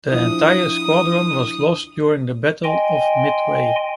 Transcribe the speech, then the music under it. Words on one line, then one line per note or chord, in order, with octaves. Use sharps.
The entire squadron was lost during the Battle of Midway.
F3 D4 E4 D#6
D#5 G5 G#5 C6